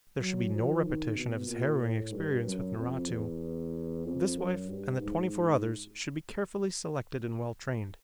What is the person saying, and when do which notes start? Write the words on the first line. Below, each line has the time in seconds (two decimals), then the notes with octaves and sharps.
There should be no repetition of his harrowing experience with Naratu. This wife and the twenty-four others should be carefully selected and well trained.
0.19 F#3
0.51 F3
0.83 D#3
1.15 B2
1.48 A#2
1.80 A2
2.12 G2
2.44 F#2
2.76 F2
3.08 E2
4.05 F2
4.37 F#2
4.68 G2
5.00 G#2